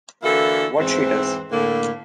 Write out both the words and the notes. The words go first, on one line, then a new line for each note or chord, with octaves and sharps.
What she does !
D3 E3 A#3 E4 F#4 A4
E2 G#2 E3 C4
A2 D3 A#3